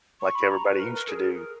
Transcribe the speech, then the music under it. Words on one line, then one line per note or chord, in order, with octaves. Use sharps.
like everybody used to do.
C#6
B5
A#5
B4
A#4
A#4
G#4
A#4